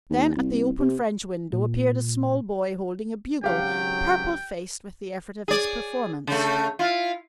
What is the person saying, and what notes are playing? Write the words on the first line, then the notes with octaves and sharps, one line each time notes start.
Then at the open French window appeared a small boy holding a bugle, purple-faced with the effort of his performance.
D#2
C2
C3
A#2
G#1 C#3 F#3 G4 F5 G5
G#4 D5
C#3 A3
E4 F4